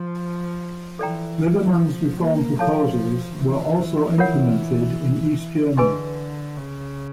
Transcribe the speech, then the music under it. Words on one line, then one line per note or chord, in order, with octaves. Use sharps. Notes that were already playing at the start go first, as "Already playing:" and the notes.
Liberman's reform proposals were also implemented in East Germany.
Already playing: F3
E3 A4 D5 G5 A#5
F3
A#3
F3 E4 A4 C#5 F5 A5
E3
F4 A#4 C#5 F#5
D3 G#4 B4 D#5 G#5 C6
C#3